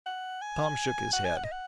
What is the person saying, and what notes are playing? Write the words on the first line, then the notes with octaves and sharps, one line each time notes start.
Tom shook his head.
F#5
G#5
F#5
G#5
F#5
D#5
F#5